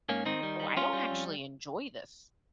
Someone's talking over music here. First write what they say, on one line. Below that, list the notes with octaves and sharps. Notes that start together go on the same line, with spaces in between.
"Oh, I don't actually enjoy this
G#2 A#3 C#4
D#3 C4 D#4
G3
G3
G3 C#4 F4
G3
F2